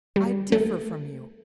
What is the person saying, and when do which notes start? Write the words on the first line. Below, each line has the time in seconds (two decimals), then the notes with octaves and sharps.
'I differ from you.
0.16 G3
0.52 A3